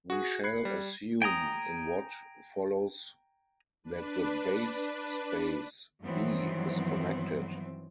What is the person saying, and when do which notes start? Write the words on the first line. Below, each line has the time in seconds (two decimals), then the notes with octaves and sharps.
We shall assume in what follows that the base space "B" is connected.
0.10 F#4 G#4
0.44 B5 F#6 G#6 C7 C#7
0.65 G3
1.22 G5 G#5 A#5 D#6
3.84 D4 B4
6.02 G2 D#3 E3 F#3 B3 C4